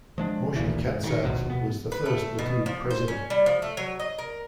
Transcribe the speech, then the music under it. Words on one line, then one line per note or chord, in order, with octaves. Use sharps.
Moshe Katsav was the first Likud president.
F3 G#3 D4
A1 D2 A#2 E3
G#2
F#1 C3 D#3
A#1 D#2 B2
B2 B3
B4
A3
B2
F3
C5
C#4
G3
F3
A3
F#3
D#5
A#4